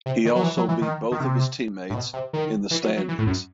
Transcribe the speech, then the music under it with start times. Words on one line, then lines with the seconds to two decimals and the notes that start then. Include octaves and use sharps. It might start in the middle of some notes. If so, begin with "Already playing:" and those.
He also beat both of his teammates in the standings.
0.06 C3
0.25 D#3
0.35 F#3
0.44 E3
0.57 F#3
0.68 E3
0.82 D#3
1.12 D#3
1.20 C3
1.90 A2
1.94 B2
2.13 C3
2.33 D#3
2.71 E3
2.83 F#3
2.96 F#3
3.08 E3
3.18 A2
3.27 F#2